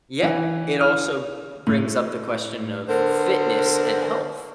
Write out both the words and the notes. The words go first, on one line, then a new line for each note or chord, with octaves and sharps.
Yeah. It also br brings up the question of fitness and health.
E3
F6
A2
D3 B3 A#4 C5